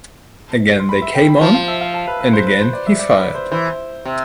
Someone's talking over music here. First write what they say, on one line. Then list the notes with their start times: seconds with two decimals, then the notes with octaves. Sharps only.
Again they came on, and again he fired.
0.80 C6
0.89 B5
1.02 E5
1.15 G5
1.29 B5
1.41 F3 A5
1.55 F5
1.68 E5
1.81 F5
1.94 A5
2.08 B4
2.21 B4
2.33 C5
2.47 B4
2.61 C5
2.73 D5
2.87 E5
2.99 D5
3.17 B4
3.35 C5
3.52 E3 C5
4.05 C3